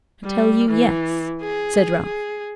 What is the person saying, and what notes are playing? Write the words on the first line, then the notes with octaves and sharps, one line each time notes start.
I tell you yes,' said Ralph.
G3
E3
G#4
G#4